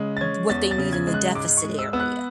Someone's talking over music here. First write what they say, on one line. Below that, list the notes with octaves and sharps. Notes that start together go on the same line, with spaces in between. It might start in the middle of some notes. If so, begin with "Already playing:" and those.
what they need in the deficit area.
Already playing: C#3 G#3
A6
C#4 G#6
E2 A6
A6
C#3
G#6
G#3
F#6
G#2 D6
C#6
G#3
E6
B3 E6
F#6